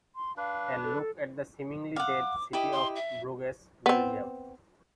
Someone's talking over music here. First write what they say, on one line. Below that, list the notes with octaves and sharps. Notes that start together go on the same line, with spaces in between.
A look at the seemingly-dead city of Bruges, Belgium.
C6
D4 B4 F5
A4
F5 F#5 D6
E4 G4 D#5
C6
E5
B3 C4